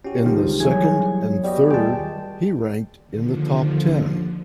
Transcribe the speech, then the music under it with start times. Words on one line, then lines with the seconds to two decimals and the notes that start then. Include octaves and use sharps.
In the second and third he ranked in the top ten.
0.04 C#4 F#4 G4
0.24 C2 D3 D#3 F3 G#3 G4
0.60 F#1 E3 G3 G#4 C#5 G#6
1.44 G3 B3 F#4 D#5
1.71 D#1 G#3 G5 A5
3.05 D#2 D3 F3